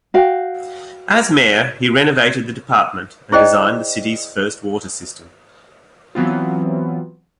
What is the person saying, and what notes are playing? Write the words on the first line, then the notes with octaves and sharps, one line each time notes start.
As mayor, he renovated the department and designed the city's first water system.
F#4 F5 G5
E4 G#4 C5 D5 D#5 G5
E3 F#3 B3 C4 F4